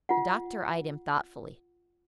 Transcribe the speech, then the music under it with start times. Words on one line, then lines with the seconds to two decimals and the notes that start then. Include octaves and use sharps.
The doctor eyed him thoughtfully.
0.09 F4 F#5